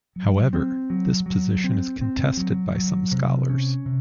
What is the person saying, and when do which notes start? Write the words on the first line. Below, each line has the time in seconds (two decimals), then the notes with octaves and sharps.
However, this position is contested by some scholars.
0.16 F#3
0.53 C4
0.90 F#3
1.26 F#3
1.64 C4
2.01 C4
2.37 F#3
2.75 F#3
3.11 C3
3.49 C#4
3.85 C3